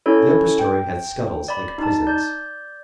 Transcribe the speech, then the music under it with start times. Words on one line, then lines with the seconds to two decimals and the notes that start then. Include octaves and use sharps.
The upper story had scuttles like prisons.
0.06 C#4 E4 A4 C#5
0.59 G5
1.48 D5 B5
1.78 D#4 A5
2.07 D5 G6